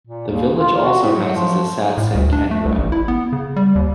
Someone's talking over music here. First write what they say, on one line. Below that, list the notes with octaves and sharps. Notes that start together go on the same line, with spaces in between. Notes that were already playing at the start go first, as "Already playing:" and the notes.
The village also houses a 'Satsang Kendra'.
A#2
D#2
F4
F#4
A2
F#3
F3
A2
D2
D4
A3
C2
A1
E4
B3
C#3
G3
D#2